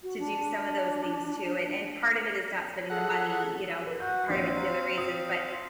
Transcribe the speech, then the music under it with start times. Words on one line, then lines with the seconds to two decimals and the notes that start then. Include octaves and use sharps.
to do some of those things too, and and part of it is not spending the money, you know, part of it's the other reasons, but
0.03 F#4
0.19 D4
2.90 G#4 A4 F#5
3.87 A#4 B4
4.00 F#4 G6
4.29 A#1 C4 D#5 F5 A#6
4.57 A#5
4.98 D#6